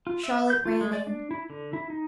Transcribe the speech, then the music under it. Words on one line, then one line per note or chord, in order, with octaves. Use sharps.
Charlotte ran in.
F4
E5
G6
F4
G#3
D5
D4
E4
D3
E4
D#4